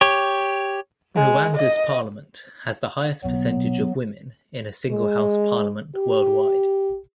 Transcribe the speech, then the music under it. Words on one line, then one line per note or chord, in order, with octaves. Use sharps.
Rwanda's parliament has the highest percentage of women in a single house parliament worldwide.
G4 C#5
G#3
D#5
B1 B2 F#3 B3
G#3
G4